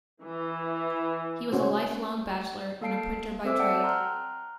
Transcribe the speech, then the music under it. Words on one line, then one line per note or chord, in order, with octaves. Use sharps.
He was a lifelong bachelor and a printer by trade.
E3
C#4 F#4 C5
A#3 A4 F5 A5 C7 D7
C4 A4 C5 E5 D6 E6
C5 D5 F#5 G5 A5 E6
A#5 C6 F6 F#6